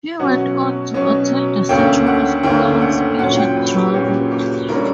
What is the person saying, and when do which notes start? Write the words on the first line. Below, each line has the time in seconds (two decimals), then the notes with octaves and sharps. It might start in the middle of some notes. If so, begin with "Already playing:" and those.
He went on to attend the Central School of Speech and Drama.
0.20 B2 F#3 C#4 F#5
0.94 B2 F#3 C#4
1.69 D2 D3 A#3 C#4 G5
2.07 F#5
2.43 D2 D3 A#3 C#4 G5
2.81 F#5
3.18 A#2 F#3 C#4 F#5
3.37 G5
3.57 B4
3.75 G4
3.93 A#2 F#3 C#4 G4
4.32 G4
4.68 D2 D3 G3 C#4 A#4